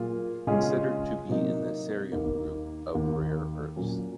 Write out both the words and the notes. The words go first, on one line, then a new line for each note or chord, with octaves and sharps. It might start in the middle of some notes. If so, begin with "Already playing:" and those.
Considered to be in the cerium group of rare earths.
Already playing: A#2 F#3 A#3 F4 G#4
C#3 G#3 C#4 F4 G#4
C3 F#3 A#3 D#4
D#2 D#3 A#3
D#2 D#3 A#3
A#2 F#3 C#4